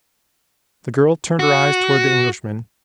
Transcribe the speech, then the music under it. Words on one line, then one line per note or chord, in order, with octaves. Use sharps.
The girl turned her eyes toward the Englishman.
F#4